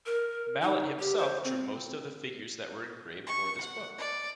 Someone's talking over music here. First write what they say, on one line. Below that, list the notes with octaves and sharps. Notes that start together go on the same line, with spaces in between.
Mallet himself drew most of the figures that were engraved for this book.
A#4
D#4
G4
C5
C4
C#6
F#5
D5